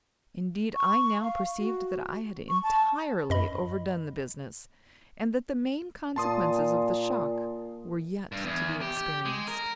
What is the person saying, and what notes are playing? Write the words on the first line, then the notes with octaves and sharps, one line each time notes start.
Indeed, I now perceived that I had entirely overdone the business, and that the main consequences of the shock were yet to be experienced.
C#6
F5
F#4
C#6
A5
F#2 D#5 B5
A#2 A5 C6 D#6
G2
E2
G4
G4
G#3
A#4